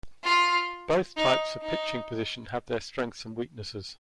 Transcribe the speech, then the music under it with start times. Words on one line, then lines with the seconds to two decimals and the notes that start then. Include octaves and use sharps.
Both types of pitching position have their strengths and weaknesses.
0.24 F4
1.16 D#4
1.62 D#4